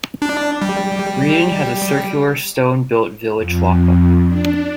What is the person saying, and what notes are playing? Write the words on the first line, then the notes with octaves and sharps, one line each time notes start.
Breedon has a circular stone-built village lock-up.
D4
G3
F2
D4